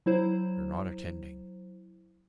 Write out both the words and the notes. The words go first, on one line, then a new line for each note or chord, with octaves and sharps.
You're not attending.
F#3 E4 C5